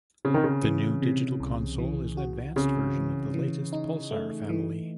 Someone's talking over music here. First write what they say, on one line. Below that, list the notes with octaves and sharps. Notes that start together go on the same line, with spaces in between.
The new digital console is an advanced version of the latest Pulsar family.
C#3 C4
D#3
C#3
E3
C3
C2
E3
F#4
C#3 C4
E3
E3
D#4
A3
E3